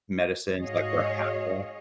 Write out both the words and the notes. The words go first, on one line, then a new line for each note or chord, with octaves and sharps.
medicines like Repatha
G#2 F#4 G#4 C#5 D#5 F5